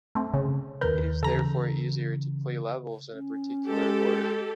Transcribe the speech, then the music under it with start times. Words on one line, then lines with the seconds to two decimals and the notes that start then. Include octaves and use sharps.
It is therefore easier to play levels in a particular order.
0.15 A3 C4
0.34 C#3
0.81 D#2 D#3 A#4 B4 G6
1.23 C#3 E3 A4 A#5
3.12 C#4
3.67 G#3 G4 A4